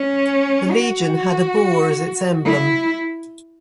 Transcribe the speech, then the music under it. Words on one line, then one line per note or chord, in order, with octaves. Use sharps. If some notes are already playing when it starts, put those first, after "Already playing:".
The legion had a boar as its emblem.
Already playing: C#4
F#4
E4